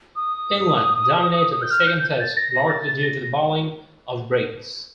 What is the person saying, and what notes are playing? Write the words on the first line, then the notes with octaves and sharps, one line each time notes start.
England dominated the second Test, largely due to the bowling of Briggs.
D#6
G6
F6
G6
G6
A6
A#6
A#6
A6
A6
A#6